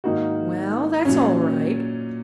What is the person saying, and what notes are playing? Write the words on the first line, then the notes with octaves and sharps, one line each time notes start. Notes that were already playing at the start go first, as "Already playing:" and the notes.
Well, that's all right.
G#2 D#3 A#3 D#4 F#4
A#2 F#3 C#4